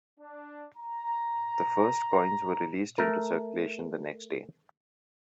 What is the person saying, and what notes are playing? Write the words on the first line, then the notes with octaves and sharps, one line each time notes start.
The first coins were released into circulation the next day.
D4
A#5
A3 A#4